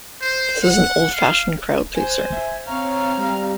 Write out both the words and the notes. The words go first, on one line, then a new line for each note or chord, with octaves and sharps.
This is an old-fashioned crowd-pleaser.
C5
F#5
F5
C5 G#5
E5
C4 C#5 F5 A#5
G3